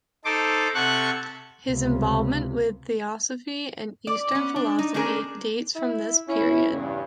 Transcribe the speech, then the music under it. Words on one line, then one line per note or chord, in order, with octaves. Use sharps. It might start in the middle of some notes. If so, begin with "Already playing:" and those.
His involvement with theosophy and Eastern philosophy dates from this period.
D#4 A4 C5 D6
C3 A4 F#5 C#6 F#6
C#2 C3
D5
B3 C#4
D4
D#4
A3 C#4 D4 G#4 A#4
E4
C#4 E4
E2 G2 C#3